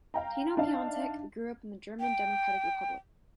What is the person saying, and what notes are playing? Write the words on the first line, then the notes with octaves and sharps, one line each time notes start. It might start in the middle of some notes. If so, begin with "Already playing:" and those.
Tino Piontek grew up in the German Democratic Republic.
F5 G5 A#5
D4 D#4 E5 F5 A5
G5